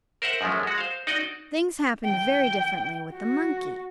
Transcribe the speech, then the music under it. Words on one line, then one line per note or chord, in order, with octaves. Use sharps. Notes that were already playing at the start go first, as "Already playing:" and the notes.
Things happened very differently with the monkey.
A#4 C5 E5 F#5
F#2 F3 G#3 A3
G#3 F#4
C5 F5
D#4 F#4 D5 D#5
G5
F#4